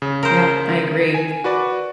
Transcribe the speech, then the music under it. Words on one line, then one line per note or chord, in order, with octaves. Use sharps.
Yeah, I agree,
C#3
A#4 C5
G#5
F#4 B4 D5